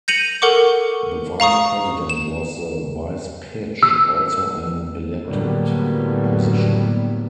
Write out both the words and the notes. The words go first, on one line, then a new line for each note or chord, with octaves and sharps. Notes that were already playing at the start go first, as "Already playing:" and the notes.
The Vice President was the "vice-pitch", also an elected position.
G6 A#6 C#7 D#7 F7 F#7
A4 A#4 F#5 C#6 D6
F5 A#5 C#6 D#6
E7
E6
A2 D3 F#3 G3 A#3 B3